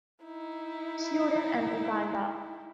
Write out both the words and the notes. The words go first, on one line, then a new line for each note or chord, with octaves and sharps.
Sudan, and Uganda.
D#4 E4